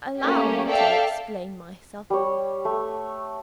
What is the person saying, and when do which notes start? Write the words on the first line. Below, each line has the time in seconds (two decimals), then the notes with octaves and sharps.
"Allow me to explain myself."
0.21 A3 A#3 C#4 G4
0.69 A4 D5 E5 F5 G5 A5
2.10 G3 C#5
2.65 A3